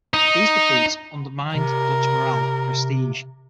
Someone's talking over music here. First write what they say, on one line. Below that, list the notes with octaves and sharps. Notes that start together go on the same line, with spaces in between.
These defeats undermined Dutch morale and prestige.
D#4
C3 A#4